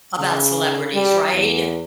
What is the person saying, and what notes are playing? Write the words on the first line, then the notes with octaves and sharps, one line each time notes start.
about celebrities, right?
C#3
G3
E2